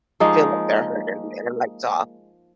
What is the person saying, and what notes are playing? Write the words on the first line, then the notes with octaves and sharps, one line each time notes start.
feel like they're hurt and and the lights off.
F3 G#3 A#3 D#4